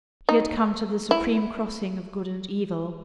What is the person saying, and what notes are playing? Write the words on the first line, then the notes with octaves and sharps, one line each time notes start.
He had come to the supreme crossing of good and evil.
D#4
E4